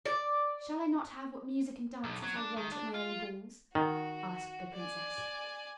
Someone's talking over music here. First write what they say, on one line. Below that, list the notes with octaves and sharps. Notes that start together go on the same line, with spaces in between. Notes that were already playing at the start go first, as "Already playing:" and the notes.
"Shall I not have what music and dances I want at my own balls?" asked the princess.
D5
B1
F#3
D4
D#3
D4
F4
D#3 F#4
D5 G#5